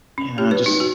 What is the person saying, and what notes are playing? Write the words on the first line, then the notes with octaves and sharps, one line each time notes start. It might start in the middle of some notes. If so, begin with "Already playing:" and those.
you know, just
C#4
G4
B4
D#4
F#4